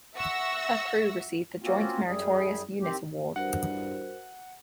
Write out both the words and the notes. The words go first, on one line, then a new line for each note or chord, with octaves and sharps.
Her crew received the Joint Meritorious Unit Award.
E5 F#5 C#6 E6 A#6
A#3 C4 C#4 F4 F#4
F#2 G3 G#4
D#3 C4 G4
G2 F#4 A#4 C5 F#5